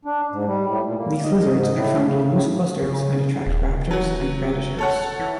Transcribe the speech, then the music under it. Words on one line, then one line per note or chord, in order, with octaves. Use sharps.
These lizards are found in loose clusters and attract raptors and predators.
D4
G#2
G3
A2
A#2
A#3
D#5
G#2
A2
C#3
A2
C#3
D#1
F#3 F#4
A4 C#5 F#5
E3